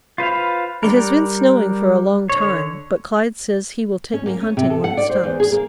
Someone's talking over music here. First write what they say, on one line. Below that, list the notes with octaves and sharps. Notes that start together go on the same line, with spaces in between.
It has been snowing for a long time, but Clyde says he will take me hunting when it stops.
F4 B4 C5 F5
G3 D4 A#4
D3 C#5
C#4
A#3
C#4
C3
A4
F#5
D5
C5
E2
G#4
A#3